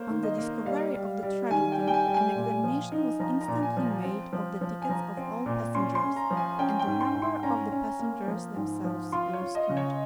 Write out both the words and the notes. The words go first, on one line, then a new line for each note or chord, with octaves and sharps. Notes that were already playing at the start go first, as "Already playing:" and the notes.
On the discovery of the tragedy an examination was instantly made of the tickets of all passengers, and the number of the passengers themselves was counted.
Already playing: A#3 C5 C#5
D#3
D#5
A#3
G3 F5
G3
G3
D#3 G#5
G5
G3
G5
G#5
G3
G#5
A#2
F3
D#4
F3 A#5
A#5
A#2
G#5
F3
A#5
C4
F3
F3
G#5
F3 A#5
C4
A#2
C#4 C6
C6
C#4
A#5
F3
G#5
C#4 G5
G5
G#2
C6
G#2
C6
C#4 A#5
C#4
A#3
F3
G#2
F3
F4 C6
C#5
F4
D#5
C#3
C#5